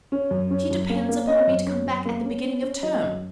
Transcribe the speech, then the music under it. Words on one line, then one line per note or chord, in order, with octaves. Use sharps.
She depends upon me to come back at the beginning of term.
C#4
F#2
C#4
F#2
A#3
A#3
C#4 D#5
F#2
C#4
F#2
A#3
C#4
C#4
C#4
F#3 D#5
F#2